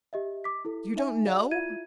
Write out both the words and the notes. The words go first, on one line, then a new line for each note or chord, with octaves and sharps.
You don't know!
G4 D#5 E5
D6 B6
E4 A4
D#4 E5 G#5
F#4 G#4 D5 F5
E4 F4 E5 G#6 D#7